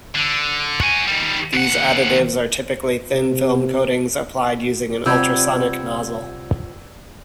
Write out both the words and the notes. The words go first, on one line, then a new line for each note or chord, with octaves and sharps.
These additives are typically thin film coatings applied using an ultrasonic nozzle.
D3
F#4 G#5
D#3 G3
D#2 F#5
C3
C3 G3 F4 C5 F#5 E6 G6 G#6